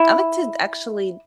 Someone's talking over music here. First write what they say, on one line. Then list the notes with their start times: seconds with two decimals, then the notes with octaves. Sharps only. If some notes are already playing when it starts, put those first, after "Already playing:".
I like to actually
Already playing: E4